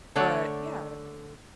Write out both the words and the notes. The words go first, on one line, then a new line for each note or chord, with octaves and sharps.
but, yeah,
D3 A3 A4 C#5 D5 F#5